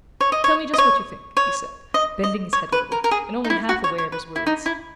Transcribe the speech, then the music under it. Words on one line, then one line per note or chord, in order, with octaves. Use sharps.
"Tell me just what you think," he said, bending his head a little, and only half-aware of his words.
C#5
D#5
C#5
D#5
C#5
C#5
D#5
D#5
C#5
B4
A#4
A#4
G#4
D#4
E4
F#4
C#5
C#5
B4
E4
D#4
E4